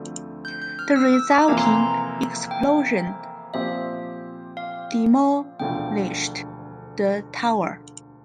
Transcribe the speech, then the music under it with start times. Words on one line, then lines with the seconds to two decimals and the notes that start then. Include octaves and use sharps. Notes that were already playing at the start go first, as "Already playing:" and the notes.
The resulting explosion demolished the tower.
Already playing: D2 D3 F3 A3 C4
0.45 G6
0.62 G6
0.79 F6
0.96 E6
1.14 E6
1.31 D6
1.48 F2 C3 E3 A#3 E4 A#5
1.57 C6
1.66 A#5
2.51 G5
3.54 A#2 F3 C4 G4 C5 E5
4.57 F5
5.60 E1 D2 D3 F3 G5